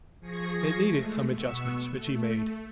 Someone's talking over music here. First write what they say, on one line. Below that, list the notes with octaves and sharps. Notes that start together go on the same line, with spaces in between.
It needed some adjustments, which he made.
F3 G#4 C#6 G#6 A#6
G#3 A3
B2 B3 C#6 E6
A3